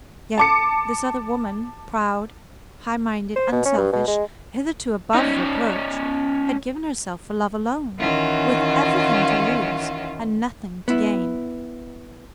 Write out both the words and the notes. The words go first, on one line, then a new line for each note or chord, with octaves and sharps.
Yet this other woman, proud, high-minded, unselfish, hitherto above reproach, had given herself for love alone--with everything to lose and nothing to gain.
A5 D6 C#7
C5
B2
C#4
G2
B2
G#3
C#4 D#4
D#3 E3 C#4 F4 F#4
B3 E4